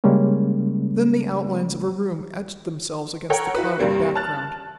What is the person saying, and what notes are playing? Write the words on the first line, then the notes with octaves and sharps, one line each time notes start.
Then the outlines of a room etched themselves against the clouded background.
C#3 G3 G#3 A#3 C#4
A4 A#4 C#5 F#5 G5
E4 F#4 B4
G2 C3 G3 A#3
A5 F6 F#6 A6